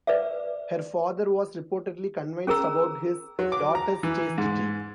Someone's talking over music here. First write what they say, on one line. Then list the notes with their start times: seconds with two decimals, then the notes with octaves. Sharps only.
Her father was reportedly convinced about his daughter's chastity.
0.07 B4 D5 E5
2.47 C#4 G#4 A#4 A#5 E6
3.39 F#3
3.52 D6
3.75 A#5
4.03 E3
4.38 G#2